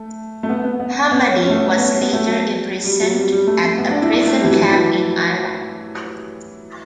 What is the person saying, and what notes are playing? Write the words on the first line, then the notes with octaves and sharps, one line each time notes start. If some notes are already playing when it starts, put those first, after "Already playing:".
Hammadi was later imprisoned at a prison camp in Iraq.
Already playing: A3
A3
B3
B3
B3
B3
C#4
C#4
A3
B3
C#4
B3
C#4
B3
A3
F#3
G3
F#3
G3
G3
A3
A3
B3
D4
E4
D4
A3
G3
E3
F#3
E3
F#3